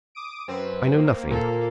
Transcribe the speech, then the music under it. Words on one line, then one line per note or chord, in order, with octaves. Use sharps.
I know nothing.
D6 D#6 D7
F#2 C4 B4
A#3
A#2 A4 F5